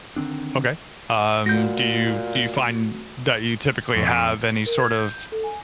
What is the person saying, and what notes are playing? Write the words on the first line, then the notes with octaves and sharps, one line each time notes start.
Okay, um, do you do you find that you typically have any sort of
D3 D#3 C4 D4
A#2 A3 F#4 G6 A#6
F2
A#4
G#6
G6
A4
G#5